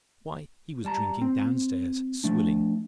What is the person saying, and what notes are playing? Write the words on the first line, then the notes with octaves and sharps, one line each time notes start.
Why, he was drinking downstairs--swilling.
G3 A5 A#5
C4
F3 A3 D4